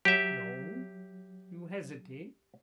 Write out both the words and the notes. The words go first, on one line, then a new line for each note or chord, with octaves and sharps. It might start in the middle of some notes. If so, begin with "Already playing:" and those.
No? You hesitate?
F#3 G4 E5